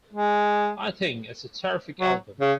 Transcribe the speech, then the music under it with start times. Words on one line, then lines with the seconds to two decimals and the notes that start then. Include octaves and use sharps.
I think it's a terrific album.
0.13 G#3
2.01 F#3
2.40 C#3